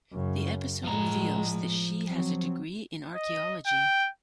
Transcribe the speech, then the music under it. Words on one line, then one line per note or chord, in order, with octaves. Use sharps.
The episode reveals that she has a degree in archaeology.
F#2 C#3
A2 F3 G#3 A#5
F#3 C4
D#5
G5